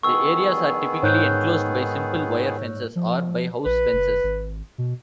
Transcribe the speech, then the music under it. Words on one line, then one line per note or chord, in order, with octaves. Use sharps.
The areas are typically enclosed by simple wire fences, or by house fences.
D#3 B3 G#4 C#6 E6
G#2 C#5 F#6 G6
F3
A#1 B4
F#1
G#1
B2